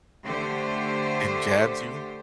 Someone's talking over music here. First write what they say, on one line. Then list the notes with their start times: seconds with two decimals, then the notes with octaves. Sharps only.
And jabs you.
0.24 D3 A3 G4 C5